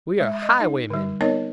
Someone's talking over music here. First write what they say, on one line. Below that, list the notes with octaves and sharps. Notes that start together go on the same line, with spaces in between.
We are highwaymen.
G#3 E5
D#5
D#4
D3 G3
B3 C4 D#4 A#4 C#5 D#5